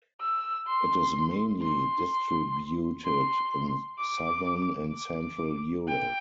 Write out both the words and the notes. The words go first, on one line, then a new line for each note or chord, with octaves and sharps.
It is mainly distributed in southern and central Europe.
E6
C6
C6
C6
D6
D6
G5